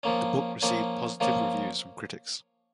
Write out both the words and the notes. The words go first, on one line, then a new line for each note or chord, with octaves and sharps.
The book received positive reviews from critics.
F3 A#3 C#4
F3 A#3 C#4
F3 A#3 C#4